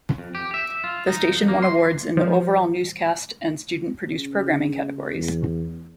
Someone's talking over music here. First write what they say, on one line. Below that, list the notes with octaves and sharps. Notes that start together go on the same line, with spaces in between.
The station won awards in the "overall newscast" and "student produced programming" categories.
F2
G4
E5
F4
D#4
F2
A#3
C6
F3
C#3
E2